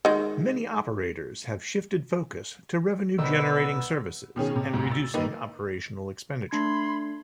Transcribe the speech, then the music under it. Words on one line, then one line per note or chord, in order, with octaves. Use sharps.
Many operators have shifted focus to revenue generating services and reducing operational expenditure.
D#3 G#3
B1 D3 D#3 B3 D#4 B4 C5 E6
B2 D#3 C#4 G#4
C3
D2 G#2
E6 A6
D#3 A#3 D#4 B4
A3 D4 B5 C6 G#6